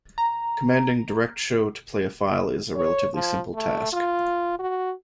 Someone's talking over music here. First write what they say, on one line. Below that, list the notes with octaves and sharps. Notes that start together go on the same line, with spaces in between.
Commanding DirectShow to play a file is a relatively simple task.
A#5
C#5
F3
A3
F4
F#4